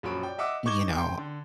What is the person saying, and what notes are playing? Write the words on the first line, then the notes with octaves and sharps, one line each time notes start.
you know,
A#1 F#2 F#4 B5 D7
D5 G5
D#5 E5 F#5 D6 E6
D#4 C#6 D6 G#6 E7 G7
G5 C6
D3